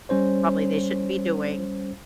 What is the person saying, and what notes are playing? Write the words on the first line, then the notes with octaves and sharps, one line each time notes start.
probably they shouldn't be doing.
G3 C#4 C5 C#5